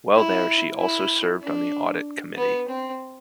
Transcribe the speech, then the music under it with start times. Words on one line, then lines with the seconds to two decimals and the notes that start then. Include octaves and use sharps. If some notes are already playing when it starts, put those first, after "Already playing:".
While there, she also served on the audit committee.
0.15 E4
0.78 E4
1.42 D4
2.37 B3
2.69 C4